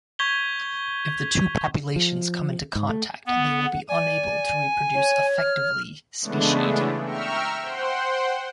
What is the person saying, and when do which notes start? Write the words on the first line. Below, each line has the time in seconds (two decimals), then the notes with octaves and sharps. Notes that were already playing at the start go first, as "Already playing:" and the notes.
If the two populations come into contact they will be unable to reproduce-effectively speciating.
0.19 C#6 G6 G#6 B6 F7 G7
1.96 F3
2.75 G#2
2.89 A3
3.26 B3 F#5
3.89 D5 G#5
4.94 C#5
5.37 F6
6.21 C#3 E3 G#3 A3 B3 D4
7.03 E5 G5 A#5 C#6 E6 F6
7.62 C5 F#5 G5 C6